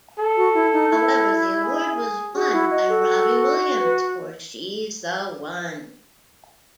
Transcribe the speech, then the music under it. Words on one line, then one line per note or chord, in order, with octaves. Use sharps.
However, the award was won by Robbie Williams for "She's the One".
A4
F#4
E4
D#4
E4
G#4
F#4 G#4
E4
D#5
A4
B4